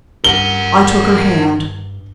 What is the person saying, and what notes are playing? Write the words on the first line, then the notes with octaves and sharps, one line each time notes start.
I took her hand.
G2 A#4 F#5 G7